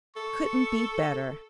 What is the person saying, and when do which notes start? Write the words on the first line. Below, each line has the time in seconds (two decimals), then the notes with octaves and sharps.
'Couldn't be better.'
0.16 A4 C#6